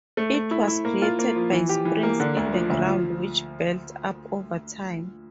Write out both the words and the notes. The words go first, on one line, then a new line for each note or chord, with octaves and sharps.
It was created by springs in the ground, which built up over time.
A3
A3
E4
E4
A#3
F4
A#3
F3
E3
G4
E3
A#3
D3
D2
F3
D2
F3